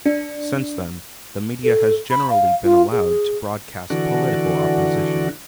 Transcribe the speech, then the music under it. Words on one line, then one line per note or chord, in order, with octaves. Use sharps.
Since then, the media has generally been allowed to broadcast political opposition.
D4
A4
B5
F5
F4
G#4
D3 E3 D4 F#4